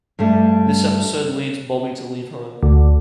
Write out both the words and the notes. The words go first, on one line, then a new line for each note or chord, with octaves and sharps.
This episode leads Bobby to leave home.
G2 G3 A3
D2